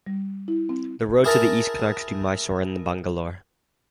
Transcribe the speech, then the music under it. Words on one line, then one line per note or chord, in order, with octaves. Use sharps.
The road to the east connects to Mysore and Bangalore.
G3
E4
C4
E4 G#4 A#4 A5 A#5